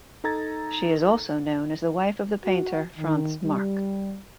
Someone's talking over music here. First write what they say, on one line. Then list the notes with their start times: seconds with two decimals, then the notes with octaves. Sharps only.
She is also known as the wife of the painter Franz Marc.
0.24 D#4 A4 A#5 G#6 A6
2.45 F#4
2.98 D#3
3.43 G3